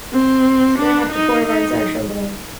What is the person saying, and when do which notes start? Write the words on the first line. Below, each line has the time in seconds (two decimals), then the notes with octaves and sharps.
Standings after four events are shown below.
0.12 C4
0.78 D4
1.11 D#4
1.46 D#4